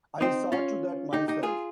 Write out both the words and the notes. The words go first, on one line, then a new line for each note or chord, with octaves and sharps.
I saw to that myself...
C4 D#4
C#4 F4
D#4 G4
D#4 G4
F4 G#4